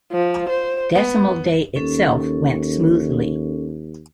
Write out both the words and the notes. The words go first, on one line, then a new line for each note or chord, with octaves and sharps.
Decimal Day itself went smoothly.
F3
C5
B3
D#2 C#4 A4